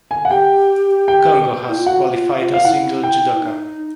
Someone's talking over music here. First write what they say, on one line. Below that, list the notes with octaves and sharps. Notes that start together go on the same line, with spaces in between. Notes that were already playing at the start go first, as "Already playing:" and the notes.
Congo has qualified a single judoka.
G#5
F#5
G4 G5
G5
E4
F4
F#4 F#5
F4
F4
F5
E4 F#5
G5
E4
D#4